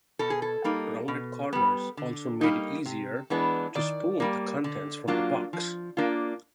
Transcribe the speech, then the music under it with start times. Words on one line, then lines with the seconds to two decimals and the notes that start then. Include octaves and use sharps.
Rounded corners also made it easier to spoon the contents from the box.
0.19 B2 A4
0.30 G#4
0.42 A4
0.64 G3 A#3 D#4
1.08 B2
1.53 G3 B3
1.97 D3
2.41 G3 A#3 D#4
2.86 C3
3.30 E3 G#3 B3 D4
3.75 D#3 D5
4.20 G3 A#3
4.64 D3
5.08 F#3 A#3 D4 F4
5.53 F3
5.97 A#3 D4 F4